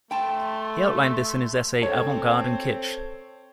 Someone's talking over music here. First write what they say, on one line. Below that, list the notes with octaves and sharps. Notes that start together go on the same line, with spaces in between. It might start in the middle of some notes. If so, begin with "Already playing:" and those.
He outlined this in his essay "Avant-Garde and Kitsch".
A3 G5 A5 C6
C4 A4 C#5